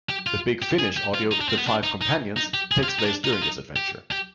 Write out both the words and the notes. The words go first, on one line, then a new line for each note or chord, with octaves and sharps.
The Big Finish audio "The Five Companions" takes place during this adventure.
G4
F4
G4
G#4
G4
F4
D#4
D4
C4
B3
D4
D#4
D#4
D#4
G4
G#4
F4
G4
D#4
D4
D#4
F4
D#4
G4
G4